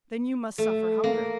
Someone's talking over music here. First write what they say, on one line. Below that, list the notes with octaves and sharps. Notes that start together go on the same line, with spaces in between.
"Then you must suffer hunger."
A3
A#3